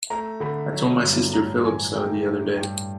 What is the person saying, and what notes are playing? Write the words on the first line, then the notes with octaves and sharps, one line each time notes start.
I told my sister Phillips so the other day.
A3 A#5
D3 B5
F#3
G2
A2 A#5
E3 G#5
A3 G5
A2
G2 G5